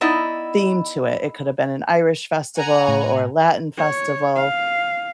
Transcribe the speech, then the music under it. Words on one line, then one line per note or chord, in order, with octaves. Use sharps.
theme to it. It could've been an Irish festival or a Latin festival,
B3 D#4 E4 D5 D#5
F#5 G#5 A#5
A2
C#5
F5